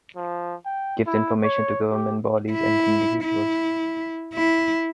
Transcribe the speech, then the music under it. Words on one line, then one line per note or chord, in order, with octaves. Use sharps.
Gives information to government bodies and individuals.
F3
G5
E4
C#5
G4
E4
E4
E4